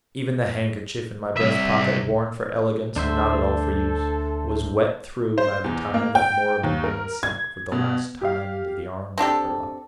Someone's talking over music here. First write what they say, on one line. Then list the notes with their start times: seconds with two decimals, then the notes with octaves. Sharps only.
Even the handkerchief in my breast-pocket, worn for elegance and not at all for use, was wet through by the time that moribund woman sank for the last time into the arms of her lover.
1.37 C2 E5
2.96 D2 D4 A4 C5 E5
5.38 C5
5.64 E2
5.94 A#3
6.15 G5
6.63 D#2
6.84 A#4
7.23 G#6
7.72 B2
8.21 G4 F5
9.18 C4 D4 G4 A4